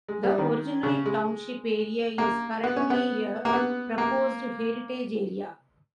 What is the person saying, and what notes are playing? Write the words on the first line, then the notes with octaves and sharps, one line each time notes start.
The original township area is currently a proposed heritage area.
G#3
G3
D#3
C#3
G#3
A#3
B3
C#4
B3
A#3
B3
A#3